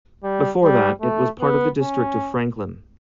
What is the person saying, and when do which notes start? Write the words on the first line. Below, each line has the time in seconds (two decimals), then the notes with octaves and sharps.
Before that, it was part of the District of Franklin.
0.24 G3
0.63 G3
1.01 A3
1.41 B3
1.79 C#4